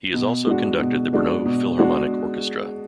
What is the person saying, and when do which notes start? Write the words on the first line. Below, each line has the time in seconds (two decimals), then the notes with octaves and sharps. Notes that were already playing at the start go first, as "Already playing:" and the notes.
He has also conducted the Brno Philharmonic Orchestra.
0.14 B2
0.47 G#3 D4 F#4
0.79 B2
1.13 G#3 D4 F#4
1.46 B2
1.79 G#3 D4 F#4